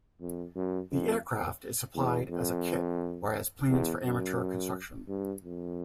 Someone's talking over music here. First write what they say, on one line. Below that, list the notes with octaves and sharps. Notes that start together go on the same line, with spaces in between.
The aircraft is supplied as a kit or as plans for amateur construction.
F2
F#2
F2
E2
F2
E2
F#2
G2
F2